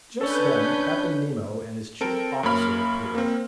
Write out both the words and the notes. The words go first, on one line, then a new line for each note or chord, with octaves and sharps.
Just then Captain Nemo and his chief officer appeared.
C#4 D4 A4 B4 C#5 G6
C4 A4 A#4 D7
F#2 A#3 C#5 B5 F6
A#3 C4